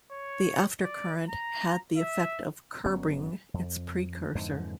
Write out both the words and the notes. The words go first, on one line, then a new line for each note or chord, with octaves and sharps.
The "aftercurrent" had the effect of "curbing" its precursor.
C#5
D5
A#5
E5
G1 F#3 B3 C#4
F2
F2 G#2 D3 E3